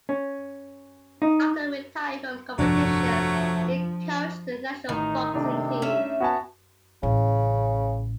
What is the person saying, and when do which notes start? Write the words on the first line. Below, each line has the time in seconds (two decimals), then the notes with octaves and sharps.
After retiring from competitions he coached the national boxing team.
0.09 C#4
1.22 D#4
2.59 G1 F2 C3 F3 F#3 A3 D4
4.89 A1 D#3 D#4
5.34 C3 A3 D4 D#4
5.82 C#4 E5
6.20 B3 F#4 G#5 A5
7.03 A1 C#3